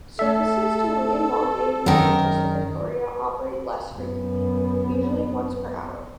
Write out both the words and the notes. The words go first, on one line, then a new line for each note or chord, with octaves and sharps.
Services to Wigan Wallgate and Manchester Victoria operate less frequently, usually once per hour.
A3 A4 E5
F#2 D#3 A#4
F#2 B3